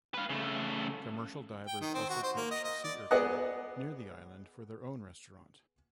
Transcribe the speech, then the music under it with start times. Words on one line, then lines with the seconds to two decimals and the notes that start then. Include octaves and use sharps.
Commercial divers also catch sea urchin near the island for their own restaurant.
0.14 B4 F5
0.29 C#3 A3
1.67 G5
1.81 D#3
1.94 C4
2.10 F#4
2.23 C5
2.36 A#3
2.51 D#5
2.64 D#5
2.84 D5
3.11 B3 G#4 D5 D#5 F#5